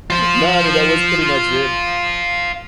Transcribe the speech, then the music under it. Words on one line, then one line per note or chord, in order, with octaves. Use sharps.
no, I mean, that was pretty much it.
F4 C5